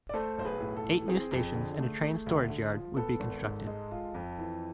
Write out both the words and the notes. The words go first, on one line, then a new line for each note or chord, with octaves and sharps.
Eight new stations and a train storage yard would be constructed.
D5
A3 A4 C5
B1 C5
G#4 B4
A2
A4
E3
C4 G#4
F2
D3
A3
A3
D2
D3
F3
B3 A4
G#1
G#2
G#3
F4
F2
E3